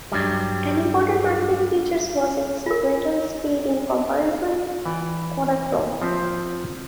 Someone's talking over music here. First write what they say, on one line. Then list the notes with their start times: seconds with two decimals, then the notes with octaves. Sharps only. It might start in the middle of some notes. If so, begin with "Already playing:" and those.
An important marketing feature was its greater speed in comparison to Kodachrome.
0.12 G2 F#3 G3
2.66 F4 A#4
4.86 E3 D5 G5
6.02 F3 C4 E5